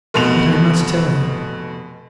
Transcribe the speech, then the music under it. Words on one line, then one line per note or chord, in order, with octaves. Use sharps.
"But I must tell him."
F1 B2 F7